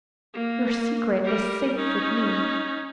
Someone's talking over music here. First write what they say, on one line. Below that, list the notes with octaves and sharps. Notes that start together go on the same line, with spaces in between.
Your secret is safe with me.
A#3
G3 A#4
C#4 D#4